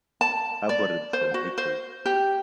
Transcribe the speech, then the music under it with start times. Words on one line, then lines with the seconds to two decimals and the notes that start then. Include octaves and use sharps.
Aborym from Italy.
0.21 A5
0.69 D5
1.13 C5
1.34 F#4
1.58 C5
2.06 G4